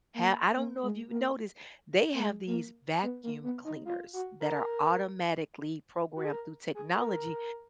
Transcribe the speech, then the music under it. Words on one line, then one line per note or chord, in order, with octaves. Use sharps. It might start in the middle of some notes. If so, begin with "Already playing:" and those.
ha I don't know if you've noticed, they have these vacuum cleaners that are automatically programmed through technology
A#3
A#3
G#3
A#3
A#3
G#3
A#3
B3
A#3
B3
D#4
F4
F#4
A#4
F#4
G#4
A#4
G#4
A#4